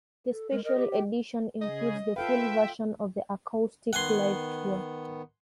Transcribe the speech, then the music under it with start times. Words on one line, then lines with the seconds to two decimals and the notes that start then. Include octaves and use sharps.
The Special Edition includes the full version of the acoustic live tour.
0.31 A4
0.51 G#3 A#4
0.64 A#4 D#5
0.77 G4
0.92 G5
1.62 C#3 G#4 D#5
2.16 F4 A4 B4 E5 F5 G5
3.93 D#3 B3 F#5 G#5 C6